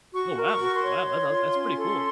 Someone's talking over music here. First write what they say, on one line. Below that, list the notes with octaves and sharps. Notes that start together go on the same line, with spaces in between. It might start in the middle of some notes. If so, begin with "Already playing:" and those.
Oh wow, wow, that's awes that's pretty cool.
F#4 C#6
A#4
C#6
F#4
C6
C#5
C#5
F4
C#4
A4